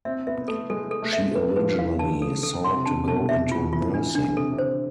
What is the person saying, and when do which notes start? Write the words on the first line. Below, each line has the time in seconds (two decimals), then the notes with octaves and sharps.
She originally sought to go into nursing.
0.05 C4 E5
0.27 B3 E5
0.48 A3 A4
0.70 G#3 A4
0.91 A4
1.02 A3
1.13 E5
1.35 B3 B4
1.56 F3 B4
1.78 E3 F5
1.99 D3 A5
2.22 A4
2.43 A4
2.64 C3 C6
2.76 C3
2.86 D3 A5
3.08 B2 A5
3.29 C3 E5
3.52 F4
3.73 E3 F4
3.94 E3 D4
4.15 D3 D4
4.37 C3 A4
4.53 C3
4.58 D3 C5